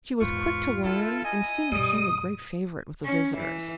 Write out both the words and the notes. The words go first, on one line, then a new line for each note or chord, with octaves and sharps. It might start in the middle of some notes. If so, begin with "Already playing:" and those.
She was quick to learn and soon became a great favorite with the visitors.
E2 G#2 F4 B4 C5 C#6
D4 E4 A4
E4 D#5 G#5
G2 B2 G3 D#6
C#4
E3